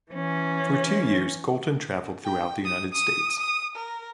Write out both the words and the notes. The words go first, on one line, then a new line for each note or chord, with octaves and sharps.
For two years Colton traveled throughout the United States.
E3 C#4
G5
D#6
D#6
D#6
A#4